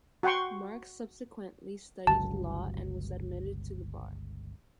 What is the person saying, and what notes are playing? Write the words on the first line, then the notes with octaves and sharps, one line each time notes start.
Marks subsequently studied law and was admitted to the bar.
F#4 F#5 G5 C6 C#6
G1 C#2 F#3 A5